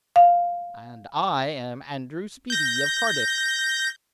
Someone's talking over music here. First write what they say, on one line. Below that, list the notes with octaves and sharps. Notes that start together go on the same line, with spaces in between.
"And I am Andrew Speedy, of Cardiff."
F5
G6 A#6